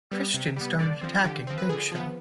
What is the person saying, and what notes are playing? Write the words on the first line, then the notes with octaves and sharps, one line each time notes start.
Christian started attacking Big Show.
G3 B3
C3
G3 B3
D3 D5
F3 C4
D3 G4
F3 C4
B4
D3 G#4
F3 B3